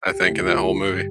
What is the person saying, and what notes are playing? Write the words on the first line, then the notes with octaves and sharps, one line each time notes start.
I think in that whole movie.
D2 G4
D3 A3 E4
D2 F4
D3 A3 E4 G4
G2
D3 G3 G4